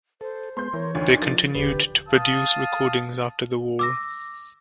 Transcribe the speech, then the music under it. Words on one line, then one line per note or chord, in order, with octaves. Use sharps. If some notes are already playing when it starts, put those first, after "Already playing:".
They continued to produce recordings after the war.
A4 C5
G#3 B3 C6 G6
E3 A#4 C#5
D2 D4 D#4
F3 A#4 A6
D#1 D3 G4 B4
F5 A5 D#6
D6 E6 A#6